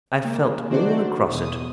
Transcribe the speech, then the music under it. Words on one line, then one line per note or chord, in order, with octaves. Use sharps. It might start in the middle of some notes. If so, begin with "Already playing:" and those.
I felt all across it.
G#3 A#3
D#3 D4 F#4 C5 D5
E2 B2 D#6